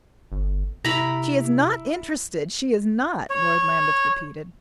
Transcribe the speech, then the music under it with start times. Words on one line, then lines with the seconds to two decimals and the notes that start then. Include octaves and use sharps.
"She is not interested--she is not!" Lord Lambeth repeated.
0.32 G1
0.85 C3 E4 A#5 B5
3.30 C#5